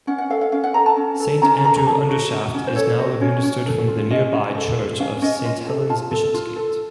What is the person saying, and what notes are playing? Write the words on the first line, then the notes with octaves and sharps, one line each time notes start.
Saint Andrew Undershaft is now administered from the nearby church of Saint Helen's Bishopsgate.
C#4 F#5
F#5
A4 F5
F5
C#4 F5
F#5
A4 A#5
A5
C#4
A4
C#4 A#5
A4 A#5
A#5
A4 A5
F#4
C#4
C#4
C5
A4 C#5
F#4 C5
C#4 C#5
C#4
A4
F4
C#4 D#5
C#4
A4
F4
C#4 F5
C#4 D#5
F4 D#5
A4
F4 A5
A4
F4
A4